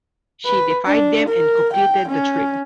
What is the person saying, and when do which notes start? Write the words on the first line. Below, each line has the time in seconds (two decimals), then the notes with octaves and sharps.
She defied them and completed the trip.
0.46 B4
0.87 D4
1.28 A#4
1.73 G5
2.08 C#4